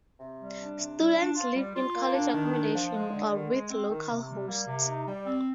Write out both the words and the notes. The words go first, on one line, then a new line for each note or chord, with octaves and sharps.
Students live in college accommodation or with local hosts.
C3
G3
D4
C3
G3
D4
F4
G3
F4
A#3
D4
D#3
D4
F3
G#3
D3
D#3
G#3
C4
D#3
C3
G3
A#3
C3
D#4
G3
C4